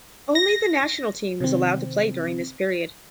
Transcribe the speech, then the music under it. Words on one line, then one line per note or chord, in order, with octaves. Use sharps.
Only the national team was allowed to play during this period.
A#6
C3 D#3 C4